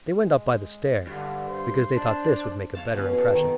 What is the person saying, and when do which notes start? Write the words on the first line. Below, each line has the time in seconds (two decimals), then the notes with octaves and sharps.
They went up by the stair, because they thought this would make a better impression.
0.19 G#3
1.07 G2 D3
1.49 C5
1.96 D4
2.75 C#5 F5 A5
2.95 B2 C#4 B4
3.13 G#4 A4
3.34 B2 D#3